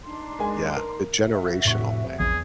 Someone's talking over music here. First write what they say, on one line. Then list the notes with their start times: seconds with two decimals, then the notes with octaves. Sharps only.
Yeah, the generational thing.
0.05 D4 D#4 C6
0.39 G#3 A#4 G#5
0.77 A#4
1.25 F#4 E5
1.65 F1 A2 C#6
2.20 A#1 E2 G#4